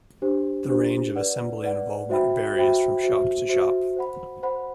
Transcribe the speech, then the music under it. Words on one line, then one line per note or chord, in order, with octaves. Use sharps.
The range of assembly involvement varies from shop to shop.
D4 G4 C5
D4 G4 C5
B4 D5 F#5
B4 D5 F#5
F#4 C5 E5 G5 B5
F#4 C5 E5 G5 B5
F#4 C5 E5
F#4 C5 E5
C5 F#5 B5
C5 F#5 B5